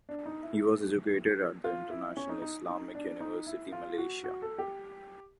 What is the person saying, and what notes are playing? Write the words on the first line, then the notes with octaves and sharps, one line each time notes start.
He was educated at the International Islamic University Malaysia.
D4
D#4
E4
F4
E4
C#4
D#4
D#4
D#4
D4
D#4
E4
F4
F#4
F#4
A4
G4